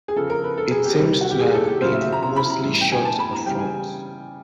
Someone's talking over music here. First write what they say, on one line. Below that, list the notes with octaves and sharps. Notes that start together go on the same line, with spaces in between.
It seems to have been mostly short of funds.
G#4
C#3 F3 A4
A#4
B4
A4
G#4
G4
C3 D#3 G3
F#4
G4
G#4
A4
G4
C#3 F#3 C5
E5
E5
A#5
A#5
B5
A#5
A2 E3 G3
G5
G#5
A5
B5
A#5
C#3 E3 G3 G5
G#5